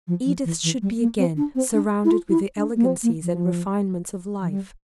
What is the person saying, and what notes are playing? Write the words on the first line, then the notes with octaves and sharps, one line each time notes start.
Edith should be again surrounded with the elegancies and refinements of life.
F3
F3
E3
E3
G3
A#3
C4
D4
C4
D4
E4
F4
E4
D4
A#3
C4
A#3
F3
F3
G3